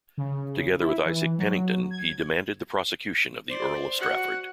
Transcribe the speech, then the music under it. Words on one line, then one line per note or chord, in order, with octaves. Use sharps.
Together with Isaac Penington, he demanded the prosecution of the Earl of Strafford.
C#3
E4
E3
F#3
G#6
C5 D5
F#4 F#5